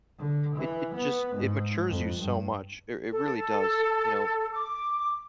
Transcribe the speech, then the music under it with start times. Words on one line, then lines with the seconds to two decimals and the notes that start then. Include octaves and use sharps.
it it just it matures you so much, it r it really does, you know,
0.18 D3
0.56 E3
0.95 B3
1.36 G#2
1.90 F2
2.19 G2
3.10 A4
4.52 D6